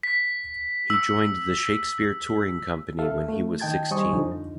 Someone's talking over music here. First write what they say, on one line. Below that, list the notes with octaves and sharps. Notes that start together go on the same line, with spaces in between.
He joined the Shakespeare Touring Company when he was sixteen.
B6
E6
A4 E5 F5
A3
D#3 D#5 G5 A5 G#6 A6
G3 C5 D#5 G#5 C#6 D#6
F2 D3 F3 D#4